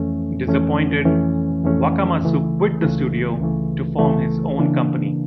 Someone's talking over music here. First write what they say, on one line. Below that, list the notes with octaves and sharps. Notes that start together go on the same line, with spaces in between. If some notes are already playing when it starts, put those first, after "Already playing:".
Disappointed, Wakamatsu quit the studio to form his own company.
Already playing: F2 E3 A3 C#4
F2 E3 A3 C#4
F2 E3 A3 C#4
F2 E3 A3 C#4
C#2 C#3 E3 A3
C#2 C#3 E3 A3
C#2 C#3 E3 A3
C#2 C#3 E3 A3
C#3 E3 A#3 D4